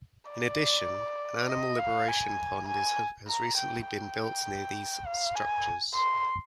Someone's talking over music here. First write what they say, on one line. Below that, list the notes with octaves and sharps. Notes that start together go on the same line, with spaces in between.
In addition, an animal liberation pond has recently been built near these structures.
D5
D#5
F5
G#5
G#5
A#5
G5
G5
F5
G#5
C6